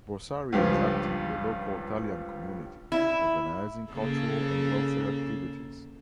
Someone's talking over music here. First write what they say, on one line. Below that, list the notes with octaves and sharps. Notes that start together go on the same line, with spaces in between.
Borsari was active in the local Italian community, organising cultural and welfare activities.
C#2 G2 F3
E4
C#3 A#3 A4